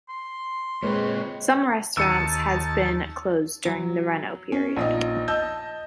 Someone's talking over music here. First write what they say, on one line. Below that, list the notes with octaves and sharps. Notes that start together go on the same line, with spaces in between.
Some restaurants has been closed during the reno period.
C6
A#2 G#3 C4 B4 C#5
D#2 A5 E6 C#7 D#7
F#3
C#4
A#1 D#4 D#5
D#5 A5 E6 G6